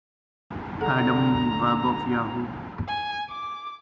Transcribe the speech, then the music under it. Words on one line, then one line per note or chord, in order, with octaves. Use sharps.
Adam Webb of Yahoo!
D3 G#4 A4 F#5 A#5
G#5
D6